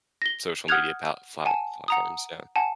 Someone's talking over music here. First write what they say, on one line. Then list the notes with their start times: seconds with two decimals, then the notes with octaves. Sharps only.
social media palt flaut platforms, yeah.
0.22 A#6 G7
0.68 F#5 D#6 F6 F#6 G#6 F7
1.45 F#5 G#5 A5
1.88 F#5 A#5 D#6
2.56 F#5 G#5 A5